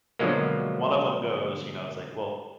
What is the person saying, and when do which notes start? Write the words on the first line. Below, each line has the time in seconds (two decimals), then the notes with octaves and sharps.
one of them goes, you know, it's like, "Well,
0.19 B2 D3 F3 F#3 G#3 A#3